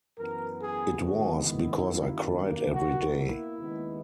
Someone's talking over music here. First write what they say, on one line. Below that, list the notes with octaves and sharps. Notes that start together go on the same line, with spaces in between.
It was because I cried every day.
F#2 E3 B3 A#4
G#4
F#2 D#3 G#3 B3 F#4
E4
F#2 D#3 A#3
B2 A#3 F#4
E4
D#2 C#3 G#3 B3